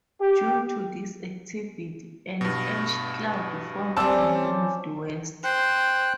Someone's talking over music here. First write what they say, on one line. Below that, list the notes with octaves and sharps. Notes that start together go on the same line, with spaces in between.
Due to this activity, an ash cloud formed and moved west.
G4
G2 B2
G3 C4 C5 D5 E5 G#5 A5 E6
C#4
C5 G5 F#6